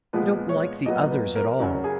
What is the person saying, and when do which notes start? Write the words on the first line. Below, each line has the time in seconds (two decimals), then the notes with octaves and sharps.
I don't like the others at all.
0.13 A#2 F3 G#3 B3 B4
0.49 C#5
0.86 A#2 F#3 B3 D#5
1.11 B4
1.35 A#4
1.59 F#2 C#3 F#3 A#4
1.84 G#4